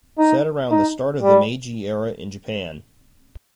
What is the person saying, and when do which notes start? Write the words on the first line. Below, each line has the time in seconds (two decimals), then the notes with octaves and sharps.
Set around the start of the Meiji era in Japan.
0.18 D#4
0.71 D#4
1.22 G3